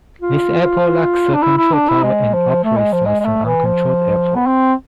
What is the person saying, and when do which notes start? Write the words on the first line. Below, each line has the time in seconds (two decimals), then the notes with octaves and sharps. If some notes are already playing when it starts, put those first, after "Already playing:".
This airport lacks a control tower and operates as an uncontrolled airport.
0.22 F4
1.34 D4
1.43 E4
1.57 E4
1.73 D4
1.89 E4
2.03 G#3
2.33 F3
2.64 A3
2.78 G#3
2.93 F3
3.05 G#3
3.20 G#3
3.25 A3
3.45 E3
3.65 F3
4.35 B3
4.46 C4